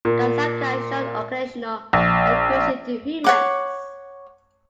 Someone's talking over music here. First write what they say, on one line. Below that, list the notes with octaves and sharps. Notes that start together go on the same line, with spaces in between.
Kasatka showed occasional aggression to humans.
A#2
A#1
C#5 F#5 D6